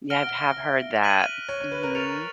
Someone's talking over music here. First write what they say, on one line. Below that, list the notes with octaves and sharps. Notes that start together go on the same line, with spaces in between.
Yeah, I've have heard that. Mhm.
F#5 F6 A#6 D7 G7
F#5
F5
E5
F#6 B6 D#7 F#7
C#5
C#5
B4
A#4
A#4 C#6 F6 A6 C#7 F7